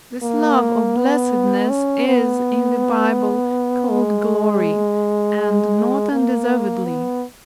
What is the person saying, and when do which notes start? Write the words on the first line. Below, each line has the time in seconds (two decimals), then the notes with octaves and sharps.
This love or blessedness is, in the Bible, called Glory, and not undeservedly.
0.23 A#3
0.97 B3
1.70 C#4
2.07 B3
3.90 G#3
6.12 A#3
6.86 B3